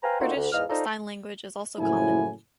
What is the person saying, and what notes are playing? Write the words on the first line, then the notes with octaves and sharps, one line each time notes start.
British Sign Language is also common.
B4 C5 F5 G5 G#5 A#5
D3 A#3 C4 D#4 F4 F#4
D2
E2 G#2 D#5 F5 F6
D#4 F4 A4 C5 D5 A#5
F#1 A2 F3 F#3 E4 G#5